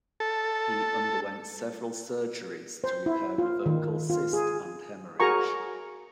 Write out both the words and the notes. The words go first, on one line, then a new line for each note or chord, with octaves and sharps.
He underwent several surgeries to repair a vocal cyst and hemorrhage.
A4
C5
E4
F4
D#3
F4
G#4
F#4 G#4 A#4 G#5 A#5 C#6